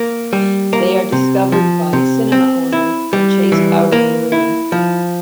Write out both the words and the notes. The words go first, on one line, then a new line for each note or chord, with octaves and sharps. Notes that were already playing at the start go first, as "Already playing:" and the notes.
They are discovered by the cinema owner and chased out of the room.
Already playing: A#3
G3
A#3
C3
F3
C3
C4
E4
G3
E3
A#3
E4
F3